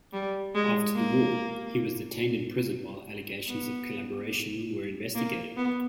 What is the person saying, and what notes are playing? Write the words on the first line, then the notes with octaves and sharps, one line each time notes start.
After the war, he was detained in prison while allegations of collaboration were investigated.
G3
G#3
A#3
B3
A#3
B3